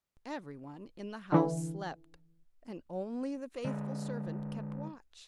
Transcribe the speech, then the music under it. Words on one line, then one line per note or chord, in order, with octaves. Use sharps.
Everyone in the house slept, and only the faithful servant kept watch.
D3 E3
D3 G#3